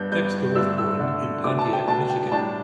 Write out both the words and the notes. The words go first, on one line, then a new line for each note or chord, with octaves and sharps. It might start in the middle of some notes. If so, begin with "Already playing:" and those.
Dexter was born in Pontiac, Michigan.
Already playing: G2 G3 B3 D4 G6
G2 G3 B3 D4 G6
G2 D3 A3 D4 E6
E6
G2 D3 A3 D4
B2 A3 D4 D6
A5
G5
B2 A3 D4 A5
G5
A2 G3 D4 A5